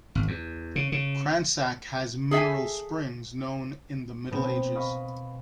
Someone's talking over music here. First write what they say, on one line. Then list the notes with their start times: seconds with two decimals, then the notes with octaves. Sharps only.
Cransac has mineral springs, known in the middle ages.
0.15 G#1
0.28 E2
0.76 C#3
0.92 C#3
2.31 G#4 A4 E5 G#5
4.31 B2 B3 C4 G5
4.75 D#5 F5 B5 C#6